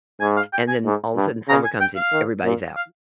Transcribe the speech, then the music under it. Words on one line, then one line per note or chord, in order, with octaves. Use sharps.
and then all of a sudden, summer comes in, everybody's out,
G#2 G#5
F5
G5
G#5
G#2
G2
C#3 A#5
G#5
G5
F5
D#3
A#2
F5